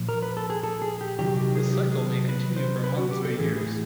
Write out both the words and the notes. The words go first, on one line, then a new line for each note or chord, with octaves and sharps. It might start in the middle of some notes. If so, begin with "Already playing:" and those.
This cycle may continue for months or years.
Already playing: A#2 F3
A#4
B4
A4
G#4
A4
G#4
G4
C3 D#3 F#3 G4
G4
G#4
G4
G#4
B4
C5
B4
F#4
G4
A4
A2 E3 G#4
G#4